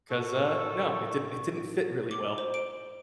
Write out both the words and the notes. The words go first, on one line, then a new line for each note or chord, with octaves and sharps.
'cause, uh, no, it didn't it didn't fit really well,"
A2 F#4 A4 A#4 C#6
D6
C5
D7